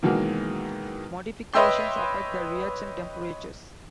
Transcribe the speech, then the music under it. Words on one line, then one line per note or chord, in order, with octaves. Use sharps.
Modification affects the reaction temperatures.
B2 D#3 E3 F#3 G#3 A#3
B4 C#5 D#5 E5 G5 C6